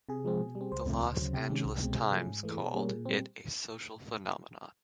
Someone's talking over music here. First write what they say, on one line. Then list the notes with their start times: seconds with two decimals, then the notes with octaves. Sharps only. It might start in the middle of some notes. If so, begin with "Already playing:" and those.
The "Los Angeles Times" called it a "social phenomenon".
0.09 C3 G#4
0.25 F3 G#3 C4
0.41 B2
0.55 G3
0.61 C4
0.72 C#2 C5
0.86 C3 F3 A3
1.02 D2
1.19 C#3 F#3
1.33 C3 G4
1.50 D#3 G#3 C#4
1.65 C2
1.81 B2 G#3 C4
1.96 C3 G#4
2.12 F3 A3 C#4
2.27 G#2
2.43 E3 A3
2.58 B2
2.74 G3 A#3 C#4
2.90 A#2
3.06 G3 C4